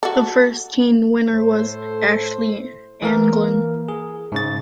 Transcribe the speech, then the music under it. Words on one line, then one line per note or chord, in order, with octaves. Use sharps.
The first teen winner was Ashley Anglin.
F#4 A4
A2 A4 C5
E3 A#3 A#4
G#4
G#2 C#3 A6